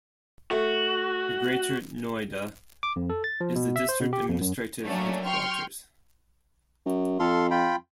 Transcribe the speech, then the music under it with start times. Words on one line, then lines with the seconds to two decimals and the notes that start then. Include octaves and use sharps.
Greater Noida is the district administrative headquarters.
0.51 A3 F#4
2.83 D6
2.96 F2
3.10 A4
3.24 A6
3.41 F3
3.56 B2
3.76 E5
3.89 C5
4.00 B2
4.13 G4
4.28 F2
4.41 F#2
4.84 F#3 A3 A#3 C#4 D4
5.25 G5 C6 C#6 F6
6.86 F#2
7.19 F2 A4 F5 C6
7.51 F4 G5 B5